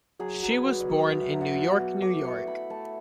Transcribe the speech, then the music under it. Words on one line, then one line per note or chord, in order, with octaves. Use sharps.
She was born in New York, New York.
F#3 G#4
F#3
B4
F#3
D5
F#3
B3 E5
F#3
F#5
F#3
D6
B3
A3 D6
E4 C#6
A3 B5
A3 A5